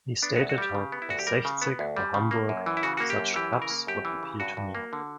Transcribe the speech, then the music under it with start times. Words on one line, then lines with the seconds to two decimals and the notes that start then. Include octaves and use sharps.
He stated how the Sechzig or Hamburg - such clubs would appeal to me.
0.23 B3 D4
0.36 D2 F#4
0.49 F#4
0.58 G3 G4
0.75 C#3
0.92 B3
1.02 E4
1.09 D2 F#4
1.19 G4
1.27 G3 A#4
1.45 C#3
1.62 B3
1.79 D2
1.97 G3
2.14 C#3
2.31 A#3
2.49 F#2
2.66 E3
2.77 E4
2.83 C#3 F#4
2.97 A#3 F#4
3.10 G4
3.18 F#2
3.36 E3 G4
3.53 C#3
3.62 A#4
3.70 A#3
3.87 F#2 G4
4.05 E3
4.23 C#3
4.40 G2 F#4
4.57 G2
4.75 A#3
4.93 D3